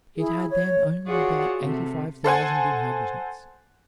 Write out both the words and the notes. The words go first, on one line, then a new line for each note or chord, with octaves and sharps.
It had then only about eighty-five thousand inhabitants.
E4 G#4
C#5
F4 F#4 G#4 C#5 D5 F#5
C3 A3
A4 C5 F#5 G#5